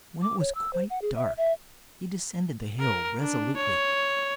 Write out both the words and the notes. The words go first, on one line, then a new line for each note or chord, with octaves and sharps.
When it was quite dark he descended the hill resolutely.
D6
C#5
E6
C5
F#5
G#4
E5
E5
A#4
D4
C#5